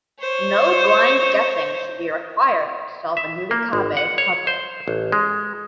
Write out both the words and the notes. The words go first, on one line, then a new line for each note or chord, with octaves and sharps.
No blind guessing should be required to solve a "Nurikabe" puzzle.
C5 C#5
E5
A#3
G#1
F#5
C#5
C5
A1
G#3